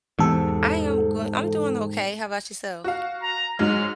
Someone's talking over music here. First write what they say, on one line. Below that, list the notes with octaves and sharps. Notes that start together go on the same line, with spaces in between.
I am goo I'm doing okay. How 'bout yourself?
E2 G#2 C3 A4
F#4 F5
A#5
G#2 F#3 G#3 F6